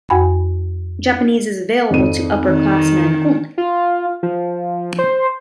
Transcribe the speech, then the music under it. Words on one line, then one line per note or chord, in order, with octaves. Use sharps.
Japanese is available to upperclassmen only.
F2 F#4 G5 G#5 B5
G#1 F2 D#7
D#3
F4
F3
C5